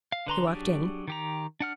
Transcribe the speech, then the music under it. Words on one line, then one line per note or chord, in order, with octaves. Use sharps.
He walked in.
F5
D3 B4 A#5 C6
F#3 D4 G4 G#4
D#3 G4 A#5
D4 F#5 F6